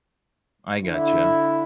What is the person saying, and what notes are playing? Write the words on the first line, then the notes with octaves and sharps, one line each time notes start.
I gotcha.
D3 E4